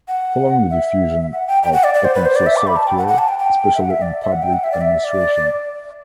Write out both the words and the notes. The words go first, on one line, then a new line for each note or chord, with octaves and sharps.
Following the diffusion of Open Source software, especially in Public Administration.
F#5
E5
F#5
G5
G5
F#5
D5
D5
C5
B4
C5
D5
E5
D6
B5
A5
G5
F#5
F#5
A5
G5
G5
E5
F#5
E5
D5
E5
F#5
G5
F#5
E5
D5
E5
D5